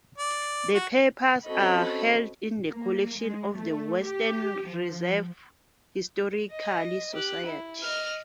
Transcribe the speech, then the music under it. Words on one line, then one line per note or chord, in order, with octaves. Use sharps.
Her papers are held in the collections of the Western Reserve Historical Society.
D5
F#4
C4 C#4 F#4 A4 D#5 B5
A#3
G#3
A3
G4
F3
D#5
G4 F#6
E4
D#5 F6